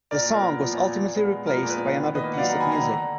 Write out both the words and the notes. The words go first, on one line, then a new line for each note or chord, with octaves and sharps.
The song was ultimately replaced by another piece of music.
A#2 A#4 D5
A#2
A#4
B3
F3
A#2
A#2
A#2
B3
G#3
F3 A#4
A#2
B4
B3
D#3
D#3
B4 D#5
A#3
F#5
F#3 D5 F5
D#3 F#5 A#5
G#5 B5
D#3 F#5 A#5
D3
D3